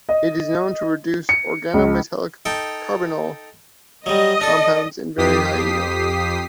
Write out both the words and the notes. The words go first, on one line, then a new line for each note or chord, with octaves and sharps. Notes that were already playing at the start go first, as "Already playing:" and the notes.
It is known to reduce organometallic carbonyl compounds in very high yield.
D#5
C#7
C#2
D#4 A4 G5
F#3 G3 D#5
D4 A4
F2 G4 D#6 B6 C7